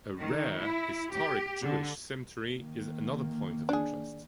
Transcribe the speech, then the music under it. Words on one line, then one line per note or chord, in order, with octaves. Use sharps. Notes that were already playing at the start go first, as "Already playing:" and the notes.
A rare historic Jewish cemetery is another point of interest.
D#3
E4
G4
D3
D#3 A#3
D4 G#4